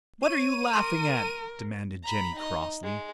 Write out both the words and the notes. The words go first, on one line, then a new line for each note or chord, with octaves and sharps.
"What are you laughing at?" demanded Jenny crossly.
C#5 D#7
A#4 C6 D6
A#5 B5
D#4 D#5
G#3